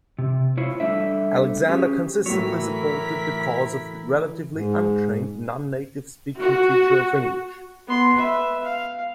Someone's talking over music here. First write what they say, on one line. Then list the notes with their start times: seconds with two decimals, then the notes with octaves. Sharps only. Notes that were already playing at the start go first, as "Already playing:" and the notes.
Alexander consistently supported the cause of the relatively untrained non-native speaking teacher of English.
0.18 C3
0.58 E4 F4 C5 C#5
0.80 G3 A3 D4 E5
1.68 C#4 G4 G#4
2.26 A2 E3 F#3 E4 A#4 C#5 B6
4.50 G#2
6.41 F#4
7.87 B3 C6
8.17 B4 E5
8.64 F5